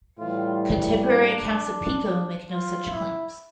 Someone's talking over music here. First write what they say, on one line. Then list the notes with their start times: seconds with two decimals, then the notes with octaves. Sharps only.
Contemporary accounts of Pico make no such claims.
0.19 A2 E3 G3 F4
0.96 D4
2.51 F4
2.90 E4